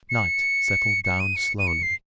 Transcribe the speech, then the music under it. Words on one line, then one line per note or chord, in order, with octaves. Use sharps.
Night settled down slowly.
C#7
C#7
D#7
C#7
D#7
C#7
C7